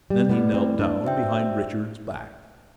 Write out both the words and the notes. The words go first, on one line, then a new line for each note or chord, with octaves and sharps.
Then he knelt down behind Richard's back.
G3
A3 B3 E4 B4 D5
C4
D4
F#4 C5 E5 G5